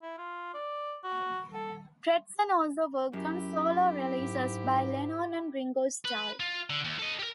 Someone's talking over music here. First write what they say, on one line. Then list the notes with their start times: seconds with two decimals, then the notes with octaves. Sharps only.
Preston also worked on solo releases by Lennon and Ringo Starr.
0.03 E4
0.18 F4
0.54 D5
1.04 F#4
1.54 A4
3.13 F#2 E4 G4
4.17 G#2
6.05 B4
6.40 F4
6.70 D3
6.85 D#2
6.99 A4 D#5
7.19 G4 A#4